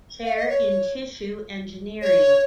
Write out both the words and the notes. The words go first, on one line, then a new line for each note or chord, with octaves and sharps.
Chair in Tissue Engineering.
F5
D#5
C#5
C#5